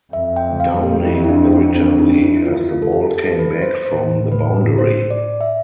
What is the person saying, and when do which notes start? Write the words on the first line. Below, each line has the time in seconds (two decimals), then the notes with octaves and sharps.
Downing irritably, as the ball came back from the boundary.
0.13 F2 E5
0.36 G5
0.60 F5
0.83 G4
1.06 E4
1.24 E4
1.29 D4
1.53 C4
1.76 D4
1.88 C4
1.99 D4
2.22 E4
2.37 E4
2.46 F4
2.69 F4
2.82 A4
2.92 G4
3.16 A4
3.39 B4
3.62 C5
3.85 A2 C5
4.32 B4
4.78 C5
5.10 D5
5.41 E5